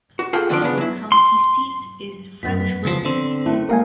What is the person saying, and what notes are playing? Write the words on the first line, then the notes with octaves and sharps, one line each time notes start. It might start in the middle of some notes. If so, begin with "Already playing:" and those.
Its county seat is Frenchburg.
F#4
F4 G#4 A4 F#5 G5
F2 D3 F3 A3 D4 D5
C#3 B3 D4
F#3 E4
C6
F#2 B2 B6
B3
C#2 F3
D3 C4
A3 C#4 E4 A5
G3 G#3 A#3 A#4 F5 G#5